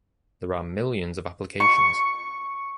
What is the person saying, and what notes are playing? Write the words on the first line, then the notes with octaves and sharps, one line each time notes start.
There are millions of applications.
C#6